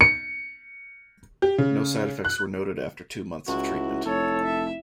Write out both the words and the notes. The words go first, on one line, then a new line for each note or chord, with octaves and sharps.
No side effects were noted after two months of treatment.
C#7
G4
C#3
F#6
C#2 E4 F#4
F1 A4 C#5
E5